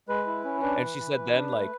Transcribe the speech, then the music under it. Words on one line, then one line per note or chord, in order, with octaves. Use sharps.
And she said then, like,
G#3 B4
E4
C#4
D4 B4
E3
E3
E3
D4
A3